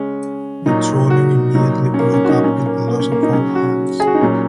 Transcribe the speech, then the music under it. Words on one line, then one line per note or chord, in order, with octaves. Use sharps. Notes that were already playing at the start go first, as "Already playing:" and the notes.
The trawler immediately broke up with the loss of all hands.
Already playing: C#3 G#3 C#4
A#2 F#3 D#4
F#4
A#2 F#3 D#4
C#4
A#3
C#4
F#4
D#4
A#2 F#3 C#4
A#3
A#3
C#4
A#3
D#4
C#3 F#3 C#4
F#4
G#4
F#4
D#4
A#2 F#3 C#4